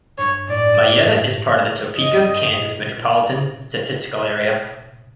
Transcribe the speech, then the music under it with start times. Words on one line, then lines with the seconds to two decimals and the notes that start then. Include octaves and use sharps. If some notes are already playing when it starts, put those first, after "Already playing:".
Mayetta is part of the Topeka, Kansas Metropolitan Statistical Area.
0.18 G2 C#5
0.49 A2 D5
0.78 G#2
1.08 G2
1.96 F#2 D#5
2.27 G2
2.56 A#2
2.86 C3